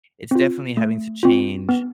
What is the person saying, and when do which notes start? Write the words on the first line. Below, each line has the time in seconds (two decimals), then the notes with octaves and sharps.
it's definitely having to change,
0.31 C4 F4
0.77 A3
1.23 C4 F4
1.69 B3